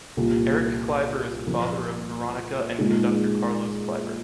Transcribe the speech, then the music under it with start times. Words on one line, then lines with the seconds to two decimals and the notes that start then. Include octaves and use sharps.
Erich Kleiber is the father of Veronika and conductor Carlos Kleiber.
0.17 C2 A#2 G3
1.47 A#2 F3 A#3
2.78 A#2 G#3 D#4 G#4